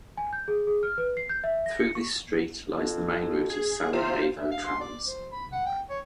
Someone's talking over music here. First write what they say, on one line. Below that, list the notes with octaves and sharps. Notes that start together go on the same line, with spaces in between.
Through this street lies the main route of Sarajevo trams.
G#5
G6
G#4
G#4
F6
B4
C7
G6
E5
A#6
C#7
C#6
F2
G#4
C3 F4 C5
E5
F5
C6
D5
C5
B5
F#5
G5
C#5